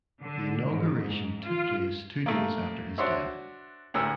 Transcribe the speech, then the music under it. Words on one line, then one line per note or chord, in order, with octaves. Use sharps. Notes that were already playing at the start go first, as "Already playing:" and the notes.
The inauguration took place two days after his death.
D3
G#2
G#2
F4
A3 A#3
D4 F#4 C5 C#5 E5
D2 A2 A#4 E6